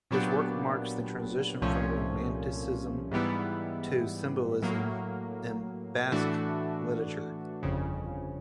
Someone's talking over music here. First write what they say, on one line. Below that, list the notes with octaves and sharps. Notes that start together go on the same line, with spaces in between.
His work marks the transition from Romanticism to Symbolism in Basque literature.
A#2 F#3 B3 D4 G4
C2 A#2 F3 A3 C#4
G#2 E3 G3 B3 E4
A2 F#3 A#3
A2 E3 A3 D4 F#4
G1 F2 C#3